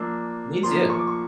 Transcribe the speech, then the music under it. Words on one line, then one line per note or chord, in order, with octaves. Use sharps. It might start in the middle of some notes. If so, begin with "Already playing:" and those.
Me too.
Already playing: F3 A#3 D4 E6
F3 A#3 D4 C6
C#6
D6
C#6